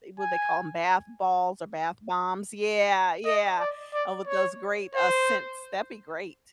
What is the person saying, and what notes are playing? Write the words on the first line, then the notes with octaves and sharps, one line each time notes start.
what do they call 'em bath balls or bath bombs. Yeah, yeah, and with those great uh scents, that'd be great.
G#5
D#5
D5
D5
C#5
C5